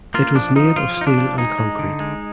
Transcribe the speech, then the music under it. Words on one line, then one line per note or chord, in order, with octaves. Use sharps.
It was made of steel and concrete.
A#3 F4
F3 D4
F3 D#4
F3 F4
F3 D#4
D4
F3
G#3 D#4
G#3
D3
G#3